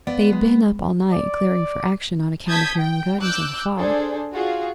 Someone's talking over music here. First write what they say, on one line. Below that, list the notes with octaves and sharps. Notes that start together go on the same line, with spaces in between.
They had been up all night clearing for action on account of hearing guns in the fog.
B3 D5 F5
G#3
D5
A5 D#6 G6 G#6 B6
G5
D6 E6 F#6 G6
D4 G#4 A4 C5
F4 F#4 G#4